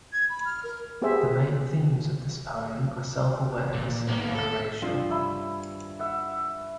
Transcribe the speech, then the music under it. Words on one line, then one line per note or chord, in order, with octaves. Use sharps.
The main themes of this poem are self-awareness and moderation.
G#6
B5
F6
A#4
B3 G4 G#4 C5 E5 G#5
A#2
A#3 B3
A4
G2 F3 C5
C#5 E5 B5
E5 F#5